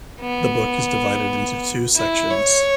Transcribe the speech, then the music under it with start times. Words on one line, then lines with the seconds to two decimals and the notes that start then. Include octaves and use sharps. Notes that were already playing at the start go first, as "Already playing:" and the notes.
The book is divided into two sections.
0.20 B3
1.96 E4
2.31 C#5